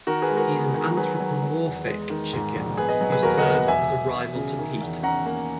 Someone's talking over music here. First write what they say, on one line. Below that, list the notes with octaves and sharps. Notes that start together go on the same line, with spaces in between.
He is an anthropomorphic chicken who serves as a rival to Peter.
D#3 F#4 A#4
G#4 B4
G#3
F#4 A#4
B3
D#3
F#3 G#4 B4
F#3
F#3
E2
G#3
D#3
G#2
A#1
B3 G#4 B4
B4 D#5
F#3
G#4 B4
D#2 F#4 A#4
D#5 F#5
B3
E1 E5 G#5
E1
E1
C#3
D#3
E2
C#4 F#5 A#5
A#3